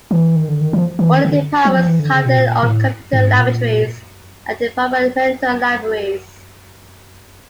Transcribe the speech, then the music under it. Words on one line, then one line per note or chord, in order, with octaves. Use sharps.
All the departments have their own computer laboratories and departmental libraries.
E3
D#3
D3
D#3
F3
E3
D#3
D3
F#3
F3
E3
D3
C#3
B2
A#2
A2
G#2
A#2